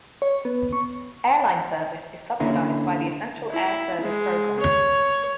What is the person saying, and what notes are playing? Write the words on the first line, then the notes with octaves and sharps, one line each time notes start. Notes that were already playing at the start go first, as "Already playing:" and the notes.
Airline service is subsidized by the Essential Air Service program.
C#5
B3
C#6
D3 A#3 C#4 E4
E4
G#3
C#5